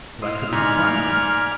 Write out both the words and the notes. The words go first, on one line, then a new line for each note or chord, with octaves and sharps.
But I could not find it.
E4 D#5 C6 F6
G#2 D5 G#5